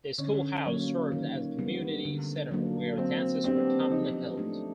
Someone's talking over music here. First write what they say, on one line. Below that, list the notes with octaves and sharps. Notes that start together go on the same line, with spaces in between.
The school house served as a community center where dances were commonly held.
D3 C#4
F#3 A#3 C#4
D#3
G3 B3
D3
F#3 A#3 D4
F#3 C4
B3 C4 D4 G4
F3 D#4
A3 D4